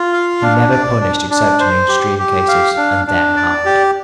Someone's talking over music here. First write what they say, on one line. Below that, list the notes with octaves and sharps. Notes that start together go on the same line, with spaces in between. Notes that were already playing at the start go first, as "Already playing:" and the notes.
He never punished except in extreme cases, and then hard.
Already playing: F4
F5
D4
D5
D4
D4
C5
G4
G4
F5
D4
D4
D5
G4